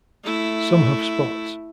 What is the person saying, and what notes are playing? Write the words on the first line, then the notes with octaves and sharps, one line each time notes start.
Some have spots.
A3 E4